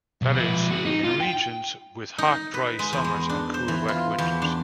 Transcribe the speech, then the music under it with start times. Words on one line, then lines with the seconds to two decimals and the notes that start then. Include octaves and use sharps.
That is, in regions with hot dry summers and cool wet winters.
0.22 B1
0.35 F3 B4
0.70 F#4 G#4
0.85 D#4
1.04 F4
1.20 G5
2.18 D#4
2.54 B4
2.79 G#3
2.93 E2
3.04 G#3
3.29 D4
3.54 C5
3.68 E3
3.88 F4
4.18 E2
4.42 D4